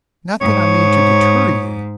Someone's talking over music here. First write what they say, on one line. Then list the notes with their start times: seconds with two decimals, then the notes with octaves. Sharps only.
Not that I mean to deter you.
0.41 G#2 C#5